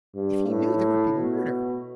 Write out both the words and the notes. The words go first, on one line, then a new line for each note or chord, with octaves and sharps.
If he knew, there would be murder.
G2
A2
B2